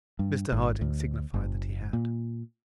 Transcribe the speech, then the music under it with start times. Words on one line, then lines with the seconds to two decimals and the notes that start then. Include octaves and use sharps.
Mr Harding signified that he had.
0.19 G2
0.52 G#1
0.81 D2
1.34 F#1
1.93 A#2